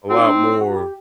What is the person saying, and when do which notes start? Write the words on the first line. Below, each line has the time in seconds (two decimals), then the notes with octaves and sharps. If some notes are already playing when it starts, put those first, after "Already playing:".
a lot more
0.10 C4 F#4
0.18 D#4
0.27 D4
0.35 D#4
0.60 F#4
0.76 G4